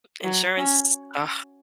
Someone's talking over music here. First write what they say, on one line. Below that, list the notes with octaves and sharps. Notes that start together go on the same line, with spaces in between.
insurance, ugh.
F#3
C#4